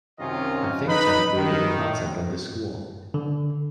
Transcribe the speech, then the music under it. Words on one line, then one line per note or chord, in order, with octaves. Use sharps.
A think tank created the concept of the school.
F#2 C3 D#3 C#4 F4 D#5
D#4 B4 B5
D#3
D3